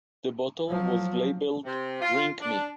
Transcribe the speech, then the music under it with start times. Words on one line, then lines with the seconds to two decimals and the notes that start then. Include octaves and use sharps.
The bottle was labelled "drink me".
0.68 F3 F#3
1.65 C3
2.01 F4
2.41 D4